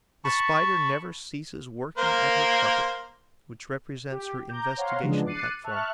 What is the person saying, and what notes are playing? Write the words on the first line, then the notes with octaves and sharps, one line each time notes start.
The Spider never ceases working at her carpet, which represents her investigation-platform.
A5 B5 C#6
A#3 A#4 C5
G4
A#5 D6 G6
C5 C#5 F5 F#5 A#5 C6
C#3 E3 F3 G#3 B3 D4
D6 F#6 A6 C7 C#7 D#7
E5 A5 C#6 F6 F#6